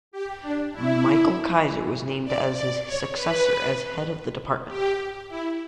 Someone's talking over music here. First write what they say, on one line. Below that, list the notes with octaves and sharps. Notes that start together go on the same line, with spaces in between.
Michael Keiser was named as his successor as head of the department.
G4
D4
E4
D5
D5
C#5
B4
G4
E4